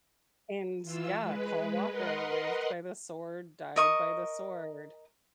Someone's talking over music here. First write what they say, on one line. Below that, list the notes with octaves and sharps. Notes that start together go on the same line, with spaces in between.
and yeah, Paul Walker lived by the sword, died by the sword.
E3 F4 E6
G#3 B4
A#4 B4 D#5 F#5 C6
A#4 D#5 C#6